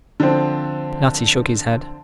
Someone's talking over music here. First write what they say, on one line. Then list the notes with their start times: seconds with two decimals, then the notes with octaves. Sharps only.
Natty shook his head.
0.20 D3 F3 C4